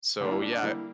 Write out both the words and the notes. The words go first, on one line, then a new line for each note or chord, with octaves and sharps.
so yeah
D3 G3 A#3 D4
E4
D4
D4
D3 G3 A#3 E4